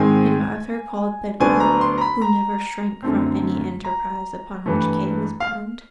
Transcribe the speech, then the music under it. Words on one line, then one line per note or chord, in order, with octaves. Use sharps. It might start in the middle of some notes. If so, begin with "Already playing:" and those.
And Arthur called Bedwyr, who never shrank from any enterprise upon which Kay was bound.
Already playing: G#2 D#3 G#3 C4 G#5
D2 D3 F#3 B3 D4 G#5
A#5
C6
A#5
B5
A#5
F#2 D3 F#3 A3 C4
A#5
G2 E3 A3
F5